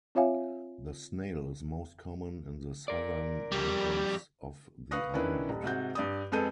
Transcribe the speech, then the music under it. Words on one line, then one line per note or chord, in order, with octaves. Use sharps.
The snail is most common in the southern mountains of the island.
C4 F4 C#5 E5 F5 G#5
A#4 D5
F2 G3
B4 F5 C#6 D#6 F#6 A#6
D#3 C#4 D4 E4 B4
D#1
G#2 C3 F#4 G6
G2 D5 D#6
F2 G#3 B3 A4 G6 D#7